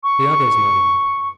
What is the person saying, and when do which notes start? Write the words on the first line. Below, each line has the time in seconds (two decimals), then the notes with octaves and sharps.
"The others, my lord!"
0.03 C#6